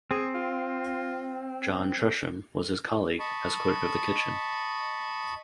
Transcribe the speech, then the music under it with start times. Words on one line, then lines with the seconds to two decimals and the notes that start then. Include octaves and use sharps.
John Tresham was his colleague as clerk of the kitchen.
0.11 C4 G#4
0.34 F4
3.19 D#5 A5 B5 C#6